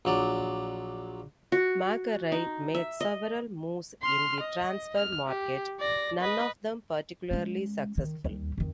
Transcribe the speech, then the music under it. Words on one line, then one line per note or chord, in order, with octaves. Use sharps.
Macari made several moves in the transfer market - none of them particularly successful.
A#1 F#3 D5
F#4
D#4
E5
D#5
C6 F6
D#5
F6
G4
D5 A#6
B4 D#5
G#3 C#4
D#3
D#2 G3
F2 D#3